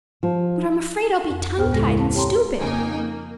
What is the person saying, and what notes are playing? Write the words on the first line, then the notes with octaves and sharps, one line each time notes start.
But I'm afraid I'll be tongue-tied and stupid.
F3
F2
D2 A2 B3 C5 G5 F6
C#3 G#3 G4 A4 A#6
E4
F5 A5
G4 C#5 G5 A5 A#5 C6
F2 C#3 A#3 D#4 G5 G#5
A#3